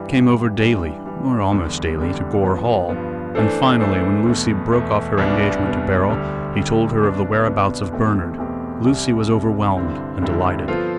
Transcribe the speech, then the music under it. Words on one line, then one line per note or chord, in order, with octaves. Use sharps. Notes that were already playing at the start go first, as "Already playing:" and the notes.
He came over daily--or almost daily--to Gore Hall, and, finally, when Lucy broke off her engagement to Beryl, he told her of the whereabouts of Bernard. Lucy was overwhelmed and delighted.
Already playing: G2 E3 G3
G2 E3 G3
E3 G3 D4
E3 G3 D4
E2 D3 G3
E2 D3 G3
G2 F3 B3
G2 F3 B3
E3 A3 D4 A4 C5
E3 A3 D4 A4 C5
E2 B2 A3
E2 B2 A3
C2 B2 G3 B3 D4
C2 B2 G3 B3 D4
D2 D3 G3
D2 D3 G3
C2 B2 B3 D4
C2 B2 B3 D4
E2 B2 A3 C4 G4
E2 B2 A3 C4 G4
C2 C3 G3
C2 C3 G3
G2 D3 G3 C4 E4
G2 D3 G3 C4 E4
F3 B3 F4 A4 C5